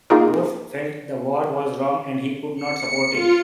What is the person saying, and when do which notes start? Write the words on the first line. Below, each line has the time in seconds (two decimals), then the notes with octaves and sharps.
Worf felt the war was wrong and he could not support it.
0.10 A#3 D#4 F4 G#4 A#4
2.56 C#7
3.10 F4